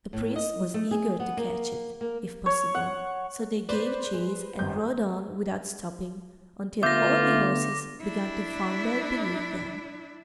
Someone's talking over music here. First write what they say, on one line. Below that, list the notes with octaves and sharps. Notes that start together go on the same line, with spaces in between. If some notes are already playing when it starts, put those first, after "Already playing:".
The Prince was eager to catch it, if possible, so they gave chase and rode on without stopping until all the horses began to founder beneath them.
A2
D#5
A3
G#4
B3
A#3
A#3
C#5
F#5
B4 C5 D5
G#3
G#1 F#2 G6
D3 A3 B3 F4 E5 D6 G6 A#6
D4 E4